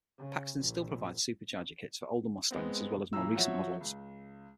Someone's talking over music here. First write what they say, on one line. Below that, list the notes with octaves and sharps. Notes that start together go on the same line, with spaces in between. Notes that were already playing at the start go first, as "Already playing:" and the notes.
Paxton still provides supercharger kits for older Mustangs as well as more recent models.
C#3
A#1
G#3 B3 C4
B1 A#2 E3 A#5 E6
F3 F#3 F#4 C#5 E5
C#2